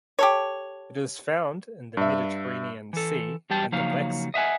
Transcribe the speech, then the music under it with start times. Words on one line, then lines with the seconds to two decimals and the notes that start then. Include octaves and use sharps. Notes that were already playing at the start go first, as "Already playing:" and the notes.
It is found in the Mediterranean Sea and the Black Sea.
0.19 G4 A4 C#5
1.97 G2 E5
2.93 E3 A4
3.50 E2 F#3 G3 G4 G5 A5
3.72 C#3 F3 F#3 A#3 D#4 F5
4.34 D#5 E5 F#5 G#5